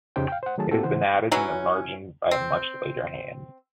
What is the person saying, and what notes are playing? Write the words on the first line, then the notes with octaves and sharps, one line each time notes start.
It has been added in the margin by a much later hand.
F2 C#3 D#4 G4 C5 G5
F5 G5
C5 F#5
D#3 F#3 A3 G#4 A5
A#3 C4 F#4 G4 A4
C#3 E3 C5 F#5
E3 F#3 C#4
C4